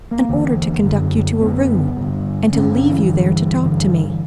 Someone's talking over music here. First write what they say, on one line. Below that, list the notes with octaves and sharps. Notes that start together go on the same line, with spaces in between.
"An order to conduct you to a room, and to leave you there to talk to me."
A#3
E2 D3
F#2 D3
F#2 D3 B3
G2 D3
G2 D3 C#4
C#4
E3
G2 D3
G2 D3